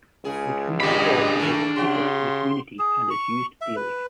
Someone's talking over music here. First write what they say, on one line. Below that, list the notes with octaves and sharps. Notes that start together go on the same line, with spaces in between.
The community hall provides a focus for the community and is used daily.
C#2 C#3 G#4
A#2 D#3 G#3 D4 G4 D#5 B5
D#3 A3 A#3
C#3 F#4 G4 C6
G#4
C#6
E5
B4